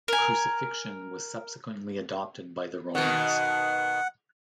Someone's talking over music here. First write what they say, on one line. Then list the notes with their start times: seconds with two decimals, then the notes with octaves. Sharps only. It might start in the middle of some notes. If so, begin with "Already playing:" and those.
Crucifixion was subsequently adopted by the Romans.
0.08 A#4 G#5
2.95 B2 D#3 F#5